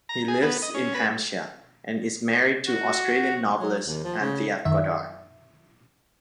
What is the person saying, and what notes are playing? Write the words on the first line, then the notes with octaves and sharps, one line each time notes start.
He lives in Hampshire and is married to Australian novelist Anthea Goddard.
A#5
G#4
B3
D#5
C#4
B4
F#4
F#3
D#2
F3
C#3
F#2 D#3 E5